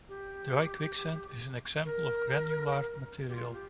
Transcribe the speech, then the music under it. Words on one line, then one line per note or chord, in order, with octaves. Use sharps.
Dry quicksand is an example of a granular material.
G4
A#4
G4
F4
G4